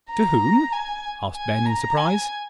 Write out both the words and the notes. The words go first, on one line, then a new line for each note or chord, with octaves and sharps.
"To whom?" asked Ben, in surprise.
A#5
G#5
G#5
A#5
G#5